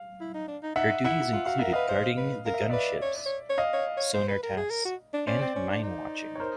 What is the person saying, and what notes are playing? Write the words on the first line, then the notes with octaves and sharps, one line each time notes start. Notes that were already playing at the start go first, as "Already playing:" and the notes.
Her duties included guarding the gun ships, sonar tasks and mine watching.
Already playing: F5
E4
D#4
D4
D#4
D#4 E5 F#5
E4 E5 F#5
F4 F#5
F#4 F5
A#4 E5
B4 D#5 F5
C5
B4
A#4 F5
E5
D#5
B4 D5 E5
C#5
C#5
C#5
D#5 F5
C#5
C#5
C5
B4
A#4
G#4
A#4
F#4
D4
C#4 C5 D5
C4
C#4
D4
D#4
C#5
A#4 C5